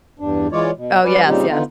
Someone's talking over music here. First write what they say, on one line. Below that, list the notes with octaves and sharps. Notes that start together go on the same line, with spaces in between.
Oh, yes, yes.
E2 G2 D4
E3 G#3 F4 C#5 D5
B2
G3 C#4 B4 D5
A#2 C#3 G3 C4 D#4 G4
D3 B3 D#4 F4